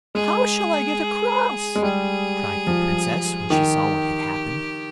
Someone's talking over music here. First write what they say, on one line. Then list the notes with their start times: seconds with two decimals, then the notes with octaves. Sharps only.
"How shall I get across?" cried the princess when she saw what had happened.
0.15 G#3 G#4
1.75 G#3
1.82 G3 G#4
2.67 F3
3.50 D#3 G4